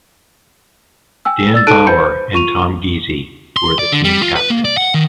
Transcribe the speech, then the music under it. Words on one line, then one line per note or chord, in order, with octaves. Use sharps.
Dan Bauer and Tom Gizzi were the team captains.
G5 G#5 E6
D5 E6 A6
D#4 A4 A5 F#6 D7 D#7
B4 C5 B5 G6 C#7
F4 C#6 D#7 F7
C6
D5
D3
G3
F4
B4
A#3
D5
F#5
D#3